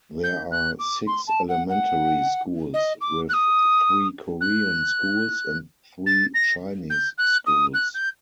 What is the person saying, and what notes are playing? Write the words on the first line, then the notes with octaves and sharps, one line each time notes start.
There are six elementary schools, with three Korean schools, and three Chinese schools.
G6
F#6
D6
C6
A5
F#5
F#5
D#5
D6
F#6
D#6
F#6
A6
A#6
G6
F#6
D#6
F#6
G6